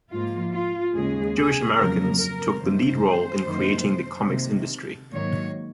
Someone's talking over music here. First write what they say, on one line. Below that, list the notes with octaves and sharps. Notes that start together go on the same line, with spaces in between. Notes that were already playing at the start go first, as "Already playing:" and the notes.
Jewish Americans took the lead role in creating the comics industry.
G#2 F3 A#3 F4
F4
D#2 C#3 G#3 G#4
G#4
F2 C#3 F#3 A#3 A#4
A#4
F#2 D#3 A#3 C5
F#2 D#3 A#3
C3 D#3 A#3
G#2 D#3 F#3 A#3 C#5